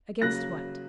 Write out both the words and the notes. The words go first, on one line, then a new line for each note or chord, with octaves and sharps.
"Against what?"
C#3 F#3 A#3 F#6 A#6